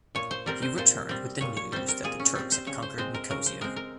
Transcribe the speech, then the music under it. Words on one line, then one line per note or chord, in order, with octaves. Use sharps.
He returned with the news that the Turks had conquered Nicosia.
A#2 C#5
C5
G3 C4 A#4
C5
A#2 C5
G3 C4
A#2 C#5
C#5
G3 C4 C5
A#4
A#2 G#4
C#4
G3 C4
C5
C#3 C#5
C5
G#3 C4 C5
A#4
C#3 A#4
C5
G#3 C4 A#4
A#4